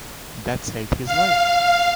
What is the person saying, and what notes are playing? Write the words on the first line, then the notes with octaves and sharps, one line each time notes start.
That saved his life.
F5